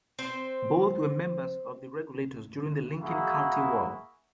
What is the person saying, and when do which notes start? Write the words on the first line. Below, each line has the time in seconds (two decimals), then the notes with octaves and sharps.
Both were members of the Regulators during the Lincoln County War.
0.19 C4 C5
2.99 G#3 A#3 E4 F#4 G#4